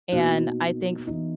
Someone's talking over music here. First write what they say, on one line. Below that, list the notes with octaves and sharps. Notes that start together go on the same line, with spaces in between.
and I think f
B2 A#3 D#4 F#4
E3 B3 D#4